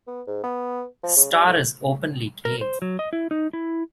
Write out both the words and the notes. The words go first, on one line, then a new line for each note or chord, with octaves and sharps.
Star is openly gay.
B3
G#2
B3
F3
C#3
G3
A2
A#4
C5
F#3
D#5
E4
D#4
E4